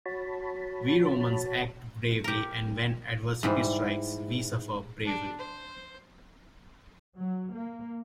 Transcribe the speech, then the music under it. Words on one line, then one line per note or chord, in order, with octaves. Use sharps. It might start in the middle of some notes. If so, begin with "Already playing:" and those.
We Romans act bravely and, when adversity strikes, we suffer bravely.
F#4 C#5 A5 B5
G4 A#4
G#2 E3 G3
D4
C5
F#3
A#3